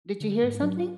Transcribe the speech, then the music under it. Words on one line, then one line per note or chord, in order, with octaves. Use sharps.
Did you hear something?
D3
G#2
F#3
F4